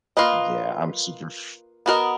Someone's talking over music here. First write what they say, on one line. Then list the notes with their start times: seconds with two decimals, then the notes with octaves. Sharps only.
yeah, I'm super f
0.17 A#3 F4 B4 D#5
1.86 B3 F#4 A#4 D#5